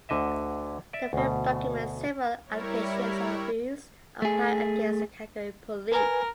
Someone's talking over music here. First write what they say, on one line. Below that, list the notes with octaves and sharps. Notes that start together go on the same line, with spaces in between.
The film documents several allegations of abuse of power against the Calgary Police.
D2 D3 D#5 E5
D5 E5
D2 B2
G3 E4 A#4 C#5
A3 G#4
A#4 B4 G#5